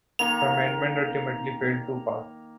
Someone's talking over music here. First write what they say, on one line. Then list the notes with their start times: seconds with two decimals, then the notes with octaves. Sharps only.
The amendment ultimately failed to pass.
0.19 D#3 A#3 F7